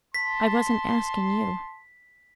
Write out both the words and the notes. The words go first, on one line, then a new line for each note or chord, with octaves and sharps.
"I wasn't asking you."
A5 C6 B6